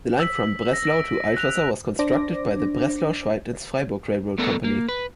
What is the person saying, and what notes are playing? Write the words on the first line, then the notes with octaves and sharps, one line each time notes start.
The line from Breslau to Altwasser was constructed by the Breslau-Schweidnitz-Freiburg Railroad Company.
E6 B6
A#6
A#6 D7
F#6 F7
D4 C5 D6 A#6
A3 B3 D4 A4 A#4
A#3
B4